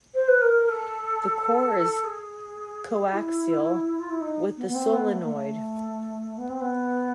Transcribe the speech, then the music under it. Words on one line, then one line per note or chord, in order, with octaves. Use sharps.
The core is coaxial with the solenoid.
C5
B4
A#4
A4
G#4
E4
F4
E4
D#4
B3
B3
C4
B3
A3
A#3
A3
B3
C4
B3